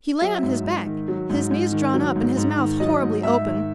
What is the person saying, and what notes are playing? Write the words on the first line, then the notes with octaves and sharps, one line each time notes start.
He lay on his back, his knees drawn up, and his mouth horribly open.
F#3 E5
G#2
G#2
D#3
F#3
G#2
G#2
D#3
F#3
G#2
G#2
D#3
F#3 D#5
G#2
G#2 E5
D#3